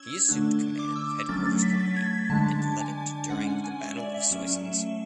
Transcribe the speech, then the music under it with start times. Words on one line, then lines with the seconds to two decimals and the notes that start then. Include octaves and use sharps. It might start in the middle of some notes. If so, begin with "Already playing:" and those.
He assumed command of Headquarters Company and led it during the Battle of Soissons.
Already playing: C#4 E6 G#6
0.29 D3 A3 D4
0.79 D6
0.96 E6
1.29 F#3 A3 C#4 A6
1.46 A6
1.63 B6
1.80 A6
1.96 G#6
2.13 G#6
2.29 D3 G#3 D4 A5
2.80 G#5
3.30 G#3 C#4 F#5
3.47 G#5
3.64 G#5
3.81 E5
3.97 D5
4.14 E5
4.31 F#3 A3 C#4